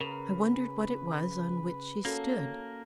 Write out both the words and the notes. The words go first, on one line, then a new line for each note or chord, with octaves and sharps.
I wondered what it was on which she stood.
C#3 A#4 B4
A#3 C#4 F#4 A4